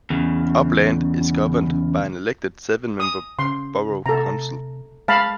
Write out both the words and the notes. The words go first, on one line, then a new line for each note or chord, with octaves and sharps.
Upland is governed by an elected seven-member borough council.
E2 C#3
D#6
C#3 C6
C3 A4 A#5
G#3 F5 A5 B5